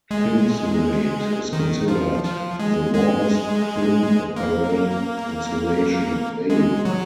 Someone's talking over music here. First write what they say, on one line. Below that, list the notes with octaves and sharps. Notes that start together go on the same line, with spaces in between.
Thinsulate is considered "the warmest thin apparel insulation" available.
G#3
D#3
F3
F3
G#3
G#3
A#3
G#3
F#3